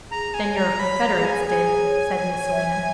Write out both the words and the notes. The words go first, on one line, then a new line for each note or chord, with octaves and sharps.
'Then your confederates did,' said Miss Selina.
G#4 A#5
G#5
C#5
A#5
C#5 B5
A#5
G#4
G#5
G#4 G#5
C#5
C#5
E5